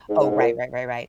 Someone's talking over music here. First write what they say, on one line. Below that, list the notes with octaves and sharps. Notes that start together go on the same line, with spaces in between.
Oh, right, right, right, right.
G#2
G#2
G#2
A#2